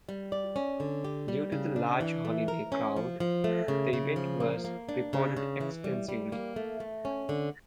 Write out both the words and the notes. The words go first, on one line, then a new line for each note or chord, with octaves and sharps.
Due to the large holiday crowd, the event was reported extensively.
G3
D5
C#4
D3
G4
G3
C#3
D4
E3
A3
A#4
C#4
F3
F3
A3
C#3
C#3
F3
A#3
A#3
D4
C#3
C#3
E3
G3
G3
A#3
A3
A3
C#4
D3